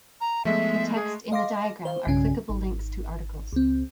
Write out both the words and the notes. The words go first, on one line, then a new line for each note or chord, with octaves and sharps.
The text in the diagram are clickable links to articles.
A#5
F3 G#3 A3 B3 E5
G#4
D#5 F5 C6 D6 A#6
C5 F5
B1 G2 C#3 C#4 G#5
G#1
C#2 C4